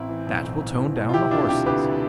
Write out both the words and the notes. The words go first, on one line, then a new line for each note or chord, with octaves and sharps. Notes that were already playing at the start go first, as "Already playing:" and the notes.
That will tone down the horses.
Already playing: A1 C4 E4
E3
B1
A2
B1
E3
B1
F4
E3 E4 G4
D2 D4 F4
C3 E4 G4
D2 G4 B4
E3